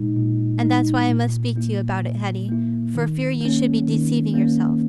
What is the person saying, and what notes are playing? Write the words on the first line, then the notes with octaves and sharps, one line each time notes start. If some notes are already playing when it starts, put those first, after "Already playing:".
And that's why I must speak to you about it, Hetty, for fear you should be deceiving yourself.
Already playing: A#2 G#3 D#4
A#2
G#3 D#4
A#2
A#3 E4
A#2
A#3 E4
D#3
A#3 C#4
D#3
A#3 C#4